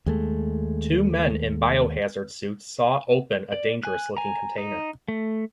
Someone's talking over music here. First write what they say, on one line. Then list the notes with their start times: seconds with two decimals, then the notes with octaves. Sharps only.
Two men in biohazard suits saw open a dangerous looking container.
0.06 D#2 G#3 A3
3.52 D5
3.83 G#5 F#6
4.17 G#5 A#5
4.58 D#4
5.08 A3